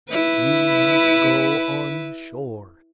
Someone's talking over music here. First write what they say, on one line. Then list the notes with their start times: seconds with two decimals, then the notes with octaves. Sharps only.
Do not go on shore.
0.10 E4 B4